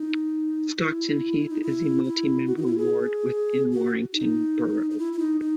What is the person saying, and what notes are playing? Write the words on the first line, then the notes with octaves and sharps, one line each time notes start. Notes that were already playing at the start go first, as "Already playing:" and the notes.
Stockton Heath is a multi-member ward within Warrington borough.
Already playing: D#4
E4
D#4
E4
E4
F#4
D#4
F#4
E4
G#4
F#4
D#4
D#4
E4
E4
D#4
D#4